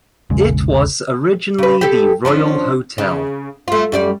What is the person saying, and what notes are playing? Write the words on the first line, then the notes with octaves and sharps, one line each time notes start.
It was originally the Royal Hotel.
E1 A#1 C#3 G#3
C#3 B4
G4 A4
F3 C#4 D4
C#3
A3 F4
F#2 G3 D5